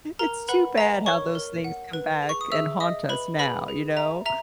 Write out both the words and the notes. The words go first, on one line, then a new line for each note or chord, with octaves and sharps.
It's too bad how those things come back and haunt us now, you know?
A#4 A#5
B4 F#5 B5
D#5 A#5
A#4 C#5 C#6
A#4
F#5
B4
G#4
C#6
D#6
G#4 E5 E6
D#5 E5 D#6
B4 B5
G#4 B4 B5
G#4
E5 A#5
E5 A#5